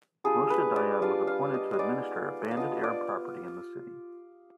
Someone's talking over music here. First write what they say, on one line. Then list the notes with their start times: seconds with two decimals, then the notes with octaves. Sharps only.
Moshe Dayan was appointed to administer abandoned Arab property in the city.
0.24 G3 D4 F4 G#4
0.50 B4
0.76 D5
1.01 G3 D4 F4 F5
1.27 F5
1.54 D#5
1.73 D#5
1.79 G#3 B3 D#4 D5
2.51 F5
2.57 B3 D4 F4 D#5
2.84 D5